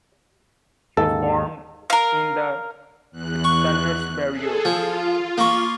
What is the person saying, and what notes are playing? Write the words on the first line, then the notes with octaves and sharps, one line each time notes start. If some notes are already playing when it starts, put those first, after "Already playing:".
He was born in the Santurce barrio.
D#2 G#2 A4
A#4 F5
E2 F#6
C#6
G#4 A4
F3 F4
A#3 C#6